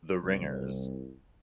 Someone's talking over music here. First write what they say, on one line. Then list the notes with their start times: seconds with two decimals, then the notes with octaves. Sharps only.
The ringers.
0.23 C2